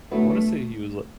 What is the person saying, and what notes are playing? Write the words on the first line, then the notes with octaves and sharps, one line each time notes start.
I wanna say he was li
D3 F#3 A3 B3 E4